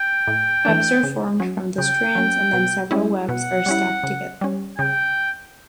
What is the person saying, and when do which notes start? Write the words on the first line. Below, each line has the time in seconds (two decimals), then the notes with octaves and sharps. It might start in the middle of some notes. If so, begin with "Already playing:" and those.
Webs are formed from the strands and then several webs are stacked together.
Already playing: G5
0.27 A2
0.65 E3 A3 D4
1.03 C#3
1.40 F#3 C#4
1.78 C#3 G5
2.15 F#3 C#4
2.53 B2
2.91 G3 C#4 E4
3.29 B2 F#5
3.66 G3 C#4 E4
4.03 C#3
4.41 G3 C#4
4.78 C#3 G5